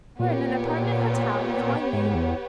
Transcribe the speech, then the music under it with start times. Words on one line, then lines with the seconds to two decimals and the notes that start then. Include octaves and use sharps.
We're in an apartment hotel, with one maid.
0.19 A#2 B3 G4 C#5
1.93 G#2
2.15 E2